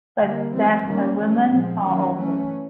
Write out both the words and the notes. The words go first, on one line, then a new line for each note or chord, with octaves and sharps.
But that's a woman all over.
D3 G3 A#3
E3 G3 C4
D#3 G3 A#3 C#4
E3 A3 C#4
A#2 F3 G#3 C4
D#3 F#3 A#3 C#4
E3 A3 C#4